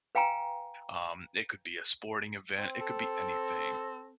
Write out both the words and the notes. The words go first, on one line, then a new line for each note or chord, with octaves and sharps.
Um, it could be a sporting event, it could be anything,
B4 F5 G5 G#5 A#5
C4
A4